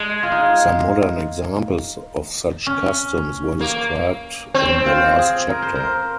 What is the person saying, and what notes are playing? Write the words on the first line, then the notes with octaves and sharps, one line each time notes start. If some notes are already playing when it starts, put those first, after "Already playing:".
Some modern examples of such customs were described in the last chapter.
Already playing: G#3
F4
D#4
C#4
A#3
C4
F4
G#4
A#4
C5
A#4